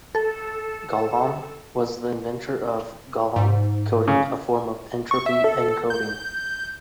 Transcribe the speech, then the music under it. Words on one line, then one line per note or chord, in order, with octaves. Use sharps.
Golomb was the inventor of Golomb coding, a form of entropy encoding.
A4
G#2
C#3
C#6
E5
A4
G6